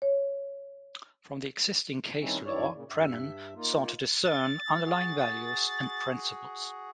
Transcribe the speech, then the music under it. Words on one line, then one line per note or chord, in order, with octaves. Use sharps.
From the existing case law, Brennan sought to discern underlying values and principles.
C#5
D#3 G3 C4 C#4 D#4 E4
F#2 D#3 E4 C#5 D5
A#2 C#3
G2 E5
A#3 D#4 F4
A6
F#4 G#4